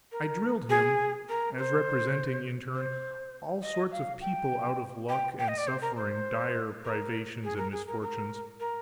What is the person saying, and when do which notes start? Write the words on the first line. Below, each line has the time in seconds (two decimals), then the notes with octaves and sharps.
I drilled him as representing in turn all sorts of people out of luck and suffering dire privations and misfortunes.
0.12 A#4
0.70 G#4
1.29 A#4
1.58 C5
2.75 C5
3.62 D#5
3.92 F5
4.21 G5
5.09 G5
5.38 G5
5.48 D#5
5.58 D5
5.67 C5
5.82 A#4
5.97 C5
6.85 A#4
7.43 G#4
7.58 A#4
7.72 G#4
7.87 A#4
8.02 A#4
8.60 A#4